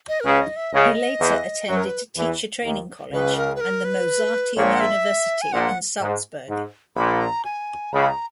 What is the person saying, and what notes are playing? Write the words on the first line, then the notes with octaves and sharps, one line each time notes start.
He later attended teacher training college and the Mozarteum University in Salzburg.
D#5
A#4
C#2 C#3 B4
D#5
E5
C#2 C#3 D#5
E2 E3
F#2 F#3 C#5
A#4
B4
E2 E3
D#2 D#3
C#2 C#3 B4
A#4
B4
A#4
B4
A#1 A#2 C#5
F#5
E5
G#5
A#1 A#2 F#5
G#2
G#2
A#1 A#2 B5
A#5
G#5
C#2 C#3 B5
A#5